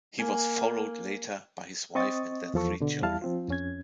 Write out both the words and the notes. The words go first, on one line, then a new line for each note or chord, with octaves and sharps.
He was followed later by his wife and their three children.
A#3 G#5
C4 D#5 C#6 D#6 A6
E2 F3 A4 C#6
B2 D3
E2 G3 E4 F5 A5 F6
F3 C4 F4
F2 C#4 G#6